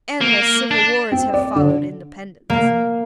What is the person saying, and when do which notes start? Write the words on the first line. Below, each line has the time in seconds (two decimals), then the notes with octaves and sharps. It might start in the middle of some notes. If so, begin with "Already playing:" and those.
Endless civil wars have followed independence.
0.21 A#3
0.71 D4
1.12 C4
1.34 D5
1.56 D3
2.50 A#3